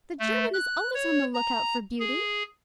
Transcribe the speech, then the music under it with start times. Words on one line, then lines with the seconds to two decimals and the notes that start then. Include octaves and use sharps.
The German is always on the lookout for beauty.
0.19 A3
0.53 F#6
0.94 C#5
1.34 A#5
2.00 G#4